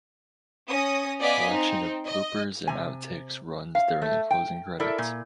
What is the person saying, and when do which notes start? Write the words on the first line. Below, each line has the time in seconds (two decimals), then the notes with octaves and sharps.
A collection of bloopers and outtakes runs during the closing credits.
0.67 C#4 D#6 A#6
1.19 B3 D5 D#5 F5 G#5 B6
1.50 C4 D#4
2.06 D#5
2.67 C3 G#5
3.75 F5
4.02 A3
4.31 G5
4.80 E4 A4 A#4 D5
4.98 A#2